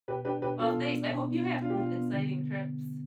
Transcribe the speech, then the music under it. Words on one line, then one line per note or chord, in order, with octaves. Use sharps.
Well, thanks, I hope you have some exciting trips,
B2 G4 B4
D4 G4 B4
B2 G4 B4
B3 F4 A4
B2
D4
B2
B3
B2
D4 F4
G4
B2 F4
B3
D3